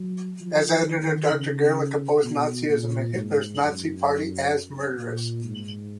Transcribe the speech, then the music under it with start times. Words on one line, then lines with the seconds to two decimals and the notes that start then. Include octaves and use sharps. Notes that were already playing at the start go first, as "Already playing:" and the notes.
As editor, Doctor Gerlich opposed Nazism and Hitler's Nazi Party as "murderous".
Already playing: F#3
0.40 F3
0.86 D#3
1.31 C#3
2.24 B2
2.69 A#2
3.15 G#2
3.61 F#2
4.99 A#2
5.44 G#2